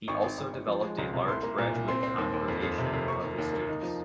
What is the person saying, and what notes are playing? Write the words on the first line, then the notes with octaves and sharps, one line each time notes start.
He also developed a large graduate congregation of his students.
G#1 C#6
G#1
G#1
G#1
F3
G#3
C#2
C3
C2 C6
A#3
A#2
C2
C4 C6
C4
D#2
D#2
F2
F2
C3
F2
A#3 C#6
D#2
D#2
A#3
D#4
F3